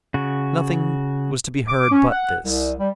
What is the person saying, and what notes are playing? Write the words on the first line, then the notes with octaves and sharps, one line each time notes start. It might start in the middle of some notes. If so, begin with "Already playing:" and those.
Nothing was to be heard but this.
C#3 F#4
D6
C#4
F#5
C2
G3